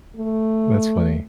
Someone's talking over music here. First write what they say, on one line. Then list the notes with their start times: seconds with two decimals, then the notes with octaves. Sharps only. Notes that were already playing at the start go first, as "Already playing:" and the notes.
That's funny.
0.16 A3